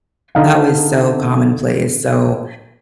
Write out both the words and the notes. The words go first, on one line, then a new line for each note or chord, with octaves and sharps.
that was so commonplace, so
D3 D#4 F5